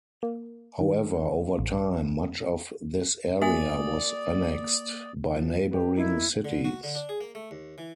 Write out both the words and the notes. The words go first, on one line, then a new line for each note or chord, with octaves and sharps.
However, over time, much of this area was annexed by neighboring cities.
A#3
D#3
A1
A#3 F#4 D5 E5 G#5 D#6 A6 F#7
F3
B3 G4
A#3 D#4 E4
D3
F#4
D3
D4
G#4
A#3
A3
D#2
E3